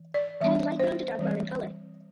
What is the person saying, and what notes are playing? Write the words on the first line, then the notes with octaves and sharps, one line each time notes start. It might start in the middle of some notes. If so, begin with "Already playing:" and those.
Head light brown to dark brown in color.
Already playing: E3
D5
E3 G3 B3 D4 E5
C5
E3 G3 C4